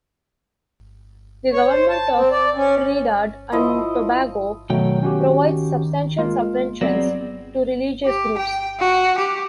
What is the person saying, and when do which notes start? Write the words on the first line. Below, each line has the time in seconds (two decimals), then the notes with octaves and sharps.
The Government of Trinidad and Tobago provides substantial subventions to religious groups.
1.53 C#5
1.68 C5
1.89 A5
2.17 C4
2.31 D5
2.56 C#4
3.52 F3 E4 D#5
4.70 B2 D#3 F#3 A3 G5
5.03 C#4 F#4 G4
6.18 G#3 A#3 F4
6.81 F#3 B3 C4 G#4 D5 A#6
8.06 G4
8.38 G5
8.80 F#4
9.18 G4